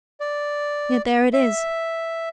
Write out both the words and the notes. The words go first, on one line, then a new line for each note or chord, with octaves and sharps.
Yet there it is.'
D5
E5